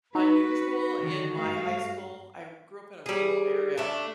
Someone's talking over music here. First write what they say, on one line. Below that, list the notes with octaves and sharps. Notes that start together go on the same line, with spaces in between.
unusual in my high school, I grew up in a rural area,
D#4 F#4 B4
D3 D#3
G2 A3 F5
G3 G#4
A3 D4